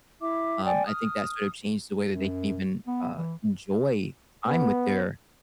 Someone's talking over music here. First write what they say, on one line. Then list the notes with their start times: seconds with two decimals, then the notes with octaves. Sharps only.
um, I think that sort of changed the way that they can even, uh, enjoy time with their
0.21 E4 E5 D6
0.64 D5 G5 G#5
0.86 D#6 F6
2.09 F#2
2.87 B3
3.16 E3
4.47 B3